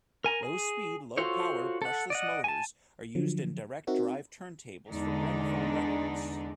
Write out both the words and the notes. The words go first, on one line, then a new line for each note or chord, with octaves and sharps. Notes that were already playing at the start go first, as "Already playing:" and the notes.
Low speed, low power brushless motors are used in direct-drive turntables for gramophone records.
A#4 G#5 A#5
G#4
F4 F#4 A4 C5 C#5
A4 F#5
D5 D#5 F#5
G#5 A5
D3 F3 F#3
C4 D#4 F#4 A#4 E5
E2 D3 G#3 D4 D#4